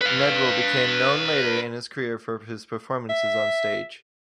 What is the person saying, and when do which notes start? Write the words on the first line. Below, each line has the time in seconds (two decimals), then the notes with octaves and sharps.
Nedwell became known later in his career for his performances on stage.
0.01 B4 F5
3.09 E5